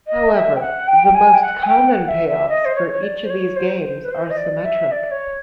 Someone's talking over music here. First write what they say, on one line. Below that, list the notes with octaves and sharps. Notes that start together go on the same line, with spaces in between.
However, the most common payoffs for each of these games are symmetric.
D#5
E5
G5
F#5
G5
G5
G#5
G5
F#5
G#5
G5
F#5
E5
E5
D#5
C5
C#5
C#5
D5
C5
C#5
C5
C5
B4
C5
D#5
D5
E5
D5
C#5